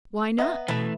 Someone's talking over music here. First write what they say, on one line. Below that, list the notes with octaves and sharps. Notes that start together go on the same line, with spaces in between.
Why not?
B3 D#5 E5 A#5
B2 E3 A3 B4 B5